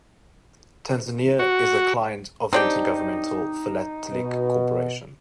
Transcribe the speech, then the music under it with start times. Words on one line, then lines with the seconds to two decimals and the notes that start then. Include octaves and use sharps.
Tanzania is a client of the Inter-Governmental Philatelic Corporation.
1.39 F#4
2.53 C4 D4 D#4 G4
4.12 B2